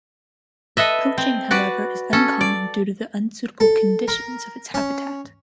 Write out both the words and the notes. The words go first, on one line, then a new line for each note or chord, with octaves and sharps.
Poaching, however, is uncommon due to the unsuitable conditions of its habitat.
A4 B4 D#5 E5
C4
F#4 B4 D5
C#4 A4
D5
A4
A#4
C#4